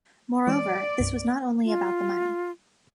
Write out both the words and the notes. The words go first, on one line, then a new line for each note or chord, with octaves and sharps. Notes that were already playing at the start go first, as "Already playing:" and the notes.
Moreover, this was not only about the money.
E3 G#3 D5
C2 G2
F4